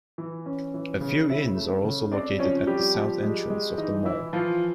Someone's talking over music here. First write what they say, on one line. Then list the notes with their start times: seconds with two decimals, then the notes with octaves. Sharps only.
A few inns are also located at the south entrance of the mall.
0.18 E3
0.46 C#4
0.74 E3
1.01 C#3
1.29 C#3 E4 E5
1.57 A3
1.84 C#3
2.11 C4 D4 D5
2.39 F3 C#4 C#5
2.67 G3 C4 G4
2.94 F3
3.23 G#3
3.50 G#3
3.78 E3 D#4
4.05 E3 E4
4.33 E3 F3 F4